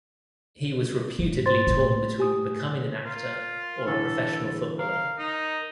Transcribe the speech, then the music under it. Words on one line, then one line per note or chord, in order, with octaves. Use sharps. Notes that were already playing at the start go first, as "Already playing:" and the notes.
He was reputedly torn between becoming an actor or a professional footballer.
G#2
C5 C6 A6
A2
G4 G#5 D#6
F4 A#4
D3 E3 A4
A#4 F5
D#4